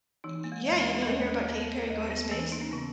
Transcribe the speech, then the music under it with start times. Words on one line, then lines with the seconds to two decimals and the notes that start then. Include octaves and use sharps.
Y y yeah, you didn't hear about Katy Perry going to space?
0.24 E3 D#4
0.44 A#3
0.52 G#3
0.66 D#2 G#3
0.80 A#3
1.02 G#3
1.07 D#2 A#3
1.49 D#2 B3
1.90 D#2
2.10 B3
2.31 E3 A#3
2.52 D#4
2.61 C#4
2.71 C#3 B3